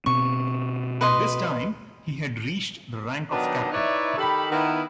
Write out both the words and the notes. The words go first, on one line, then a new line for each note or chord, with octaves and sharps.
At this time, he had reached the rank of captain.
B2 C4 C#6
B4 D#5 C6
D#3 F#3 B3 D4 D#4 G4
D#4 E4 B4 C#5 D5 E5
D#3 G4 A4 B5
D#3 B3 E4